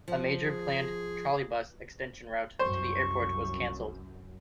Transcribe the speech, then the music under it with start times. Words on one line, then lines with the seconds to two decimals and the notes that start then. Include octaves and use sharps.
A major planned Trolleybus extension route to the airport was cancelled.
0.08 F3
0.45 G#4
2.59 C2 F#2 C5 C#6